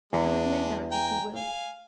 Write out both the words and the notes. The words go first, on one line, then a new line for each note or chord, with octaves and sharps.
I have no doubt that he will.
E2 G#3 D4
G5 G#5 A#5
F5 G#5